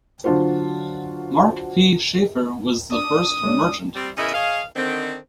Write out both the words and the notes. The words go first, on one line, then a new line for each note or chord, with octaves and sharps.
Mark P. Sheffer was the first merchant.
D3 F#3 D4 F4 F#4 C5
D4 D#6
G#3 C#4 D4
G3 C4
E2 C#3 C#4 E4 A#4 D#5
G#4 C#5 D#5 F5
D3 D#3 C4